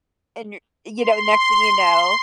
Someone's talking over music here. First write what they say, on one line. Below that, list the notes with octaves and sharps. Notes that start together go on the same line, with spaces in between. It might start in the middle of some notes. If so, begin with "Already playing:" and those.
And you you know, next thing you know
C6